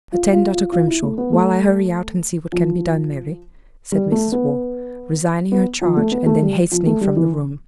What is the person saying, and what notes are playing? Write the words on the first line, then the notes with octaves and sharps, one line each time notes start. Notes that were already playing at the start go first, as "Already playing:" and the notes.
"Attend Dr. Grimshaw, while I hurry out and see what can be done, Mary," said Mrs. Waugh, resigning her charge, and then hastening from the room.
F4
F4
F4
F4
E4
A3
B3
A3
F3
G3
A3
B3
B3
F3
A3
B3
A3
G3
F3
A3
G3
E3